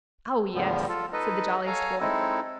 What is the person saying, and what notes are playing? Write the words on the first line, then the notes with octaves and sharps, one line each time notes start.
"Oh, yes," said the jolliest boy.
E2 A2 D3 F3 G3 B3
F4 A4
D#4 A4 B4 D#5
A4 C#5 F5 G#5 A#5
G#3 C4 D#4 E4 A4